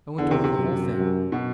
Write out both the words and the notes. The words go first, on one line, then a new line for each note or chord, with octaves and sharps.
I went over the whole thing.
E2 D3
C3
C3
F#2
F#2
B2